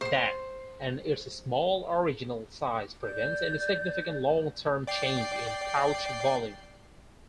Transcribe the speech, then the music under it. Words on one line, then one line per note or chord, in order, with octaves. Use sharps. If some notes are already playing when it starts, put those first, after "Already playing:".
That, and its small original size, prevents any significant long-term change in pouch volume.
C5 C6
D5 G6
D5 G5 C7